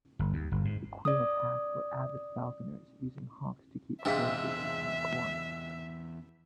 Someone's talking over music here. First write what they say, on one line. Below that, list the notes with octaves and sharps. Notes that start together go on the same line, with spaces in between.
The Quinnipiac were avid falconers, using hawks to keep crows away from the corn.
G1
D#2
G1
G#2
D5 D#6
E2 G#2 C3 D4 F4 G#4 E5 F5